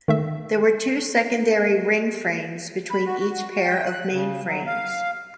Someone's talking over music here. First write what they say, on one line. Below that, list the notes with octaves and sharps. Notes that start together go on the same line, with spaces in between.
There were two secondary ring frames between each pair of mainframes.
D#3 A3 E5
B5
F#4
F#4
G5
F#6
C#3
F#3
F5